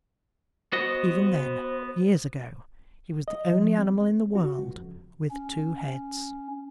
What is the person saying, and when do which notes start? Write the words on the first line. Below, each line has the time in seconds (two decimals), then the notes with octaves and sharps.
Even then, years ago, he was the only animal in the world with two heads.
0.73 B3 F#4 C5 D#5
3.28 D#5
3.51 F3
3.78 C4
4.35 F#4
4.59 C#2
4.77 F2
5.31 C#4